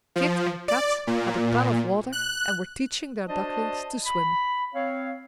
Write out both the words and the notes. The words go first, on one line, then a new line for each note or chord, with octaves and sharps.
Kit and Kat had a pan of water and were teaching their ducklings to swim.
F3
D5
A#2
F#6
D4 F#4 C5 D5 D#5 A5
B5
C4 C#5 F5